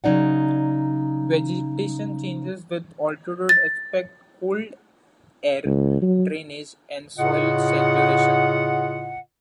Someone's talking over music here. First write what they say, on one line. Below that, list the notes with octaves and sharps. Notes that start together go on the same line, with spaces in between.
Vegetation changes with altitude, aspect, cold air drainage and soil saturation.
C#3 F#3 D#4 D5 F#5
A6
C#2
F#3
A2 C#3 F4 D#5 F#5